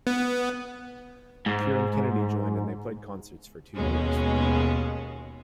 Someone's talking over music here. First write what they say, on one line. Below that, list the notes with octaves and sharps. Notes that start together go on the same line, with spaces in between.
Kieran Kennedy joined and they played concerts for two years.
B3
G#2
D#2 B2 G#3 C#4